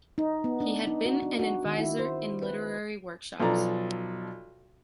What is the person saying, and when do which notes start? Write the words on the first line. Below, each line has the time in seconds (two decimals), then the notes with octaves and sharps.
He has been advisor in literary workshops.
0.18 D#4
0.44 B3
0.60 D4
0.87 D#4
1.05 F#4
1.22 D4
1.39 F#4
1.65 D#3
1.78 E4
1.99 C5
2.42 B4
3.40 B1 F3 A4 D5 A#5